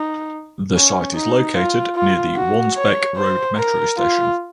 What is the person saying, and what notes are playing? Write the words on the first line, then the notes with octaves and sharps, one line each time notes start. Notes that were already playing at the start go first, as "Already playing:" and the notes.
The site is located near the Wansbeck Road Metro station.
Already playing: D#4
C#4
D#4
F4
F4
F#4
C#5
C5
A#4
F4